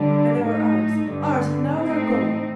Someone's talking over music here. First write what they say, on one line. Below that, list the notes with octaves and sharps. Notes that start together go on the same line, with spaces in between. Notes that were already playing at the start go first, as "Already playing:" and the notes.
"And they were ours, ours! and now they are gone."
Already playing: D3 G3 D4
A2 A3 D#4
G2 D3 G3
A2 A3 C4 D#4